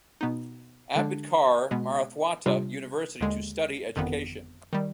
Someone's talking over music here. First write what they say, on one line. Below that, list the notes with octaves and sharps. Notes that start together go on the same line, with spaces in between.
Ambedkar Marathwada university to study education.
B2 B3 D#4
D3 G#3 D4
B2 G#3 B3
C3 G3 D4 F4
D#2 D3 G#3
G1 F2 D#3 B3
D#3 G3